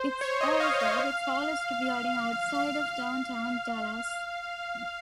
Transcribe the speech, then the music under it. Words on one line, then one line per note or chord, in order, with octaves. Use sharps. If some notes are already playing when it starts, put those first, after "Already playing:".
It's also the tallest building outside of Downtown Dallas.
Already playing: C5
C#5
D#5
F5
F5
F5
F5